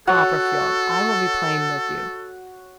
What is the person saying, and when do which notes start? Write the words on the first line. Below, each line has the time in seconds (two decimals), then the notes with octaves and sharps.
Copperfield, I will be plain with you.
0.07 F#4 A4 C#5 F#5